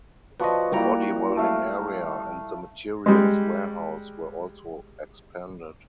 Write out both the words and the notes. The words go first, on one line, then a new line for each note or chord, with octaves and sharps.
The body welding area and the materials warehouse were also expanded.
F3 F#4 B4 D5 D#5
G3 A#3 E4 F#4 G5 A#5
F#4
A3 E5 F5
G3 G#3